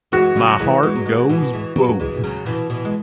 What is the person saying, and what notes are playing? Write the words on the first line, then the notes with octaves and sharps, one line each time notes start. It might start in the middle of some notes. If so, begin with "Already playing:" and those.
My Heart Goes Boom!
E3 G#3 F#4
C#3 F#3
E3 G#3
E3 G#3
F#3
E3 G#3
B2 E3
E3 G#3
F#3 B3
E3 G#3
C#3 F#3
B2 E3
B2 E3
G#3